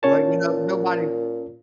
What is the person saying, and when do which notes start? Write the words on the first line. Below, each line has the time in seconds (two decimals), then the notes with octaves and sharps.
Well, you know, nobody
0.03 A#2 C#4 C#5 A5